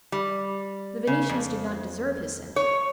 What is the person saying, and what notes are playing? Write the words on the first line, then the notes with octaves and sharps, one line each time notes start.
The Venetians did not deserve his censure.
G3
C#3
F2
C#5